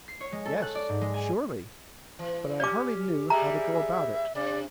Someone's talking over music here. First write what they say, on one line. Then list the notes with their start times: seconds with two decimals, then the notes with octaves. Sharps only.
Yes, surely, but I hardly knew how to go about it.
0.08 C7
0.20 C#5
0.32 G#3
0.46 A4
0.62 F#6
0.75 D5
0.89 G#2
1.01 G#3
1.14 G#5
2.19 E3
2.60 C#4 G4 D5 D6
3.30 G3 G#3 G#4 E5 A#5
4.35 C3 D4 D5